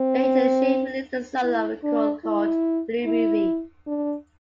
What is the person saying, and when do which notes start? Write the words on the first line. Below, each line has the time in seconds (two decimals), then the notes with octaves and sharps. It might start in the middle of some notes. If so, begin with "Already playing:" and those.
Later Shane released a solo record called "Blue Movie".
Already playing: C4
1.43 E4
1.84 D4
2.25 E4
3.05 E4
3.87 D4